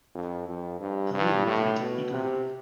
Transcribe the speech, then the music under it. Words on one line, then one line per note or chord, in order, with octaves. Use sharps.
Helene drank it eagerly.
F2
F2
G2
G2
A2
B2
C3